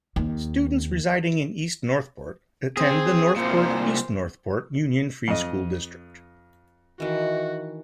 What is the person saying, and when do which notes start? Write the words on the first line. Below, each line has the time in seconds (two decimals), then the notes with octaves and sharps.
Students residing in East Northport attend the Northport-East Northport Union Free School District.
0.16 D#2
2.77 C4 G#4
3.36 C2 A#2 C5
5.28 F2 D#5
7.00 D#3 E3 F#4